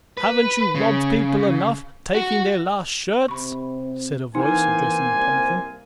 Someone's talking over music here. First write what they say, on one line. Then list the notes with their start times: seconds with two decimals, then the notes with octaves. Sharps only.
"Haven't you robbed people enough--taking their last shirts?" said a voice addressing the publican.
0.17 B4
0.75 C#3
2.15 F#4
3.28 C3 B5 C#6
4.35 E3 A#3 C4 D#4 G#5
5.13 C2